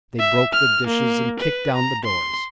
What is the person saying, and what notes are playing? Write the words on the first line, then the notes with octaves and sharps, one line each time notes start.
They broke the dishes and kicked down the doors.
E5
F6
A#3
B4
A#5
C6